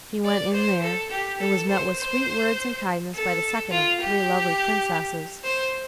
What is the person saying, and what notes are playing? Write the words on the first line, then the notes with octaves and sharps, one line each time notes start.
He went in there, and was met with sweet words and kindness by the second of the three lovely princesses.
D5
C5
A4
G4
A4
C5
C5
A4
F4
G4
C5